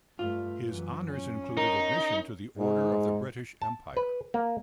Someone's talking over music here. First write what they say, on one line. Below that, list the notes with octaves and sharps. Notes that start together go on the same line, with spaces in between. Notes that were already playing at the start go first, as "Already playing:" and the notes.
His honors included admission to the Order of the British Empire.
G2 A3 F4
F#2 E3
C#4
D#4 A#4
G#2
A5
B4
A#3